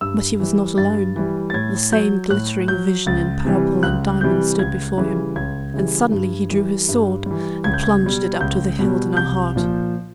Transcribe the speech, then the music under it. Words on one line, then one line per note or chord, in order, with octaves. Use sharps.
But he was not alone; the same glittering vision in purple and diamonds stood before him, and suddenly he drew his sword and plunged it up to the hilt in her heart!
G2 E6
E3 G3
G2 A6
E3 G3
A6
A2 G#6
F#3 G6
A2 F#6
F#3 G6
C#2 A6
C3 E3 G3
C#2 F#6
C3 E3 G3 G6
C#2 G#6
C#3 E3 G3
C#2 G#6
C#3 E3 G3
G2
E3 G3
G2
E3 G3
C#2 G#6
G6
G#6
B2 G3
C#2 G6
B2 G3
C2 G6
A#2 F3